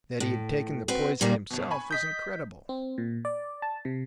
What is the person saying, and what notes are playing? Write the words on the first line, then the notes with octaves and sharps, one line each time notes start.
That he had taken the poison himself was incredible.
A2
C4 F#4 B4
A#2 D#3 G3 A#3
G1 B2
G#5 B5 C#6
D#5 D#6 G6 B6
C4
A#2
D5
A5
C3